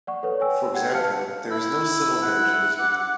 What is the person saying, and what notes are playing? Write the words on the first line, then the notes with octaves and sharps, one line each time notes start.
For example, there is no civil marriage in Israel.
D5 F#5 C#6
A4 B4 C#5
C#5 G5 G#5 E6
G4 F#5 G5 G#6
B4 F5 A5 F6 C#7
E4 E6
F#5
D6